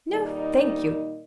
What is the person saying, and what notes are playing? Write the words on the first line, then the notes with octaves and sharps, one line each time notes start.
'No, thank you.
A#2 D#3 G3 D#4